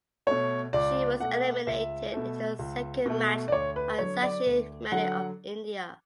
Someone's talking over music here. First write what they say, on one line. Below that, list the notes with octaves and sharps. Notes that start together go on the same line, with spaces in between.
She was eliminated in her second match by Sakshi Malik of India.
B2 A3 C#5
C#2 D5
B2 A3 F#5
C#2 E5
B2 A3
C#2
B2 A3
D5
D2 C#5
B4
D3 F#3 C#5
D5
D2
D3 F#3 F#5